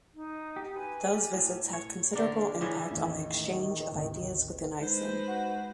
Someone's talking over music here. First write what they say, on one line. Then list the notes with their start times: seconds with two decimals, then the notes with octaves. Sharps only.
Those visits had considerable impact on the exchange of ideas within Iceland.
0.14 D#4
0.56 G4
0.76 B4 G#5
1.13 G4 D5 F5
1.34 A2
1.73 C#5
2.13 D3 D4 A#4
2.61 A2 C#3 E3 C#4
2.91 A1 E2 D#3
3.93 G#1 D2 C3
4.81 G#3 D#4 B4 C5
5.28 F#4